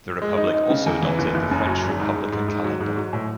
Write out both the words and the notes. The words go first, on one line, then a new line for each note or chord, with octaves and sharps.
The republic also adopted the French Republican Calendar.
G#3
D#4
D#4
C#3
E2
E3
F#1
F#1
F#2
F#3
G#1
G#2
G#2
G#2
G#2
F#3
G#2
F#3
A2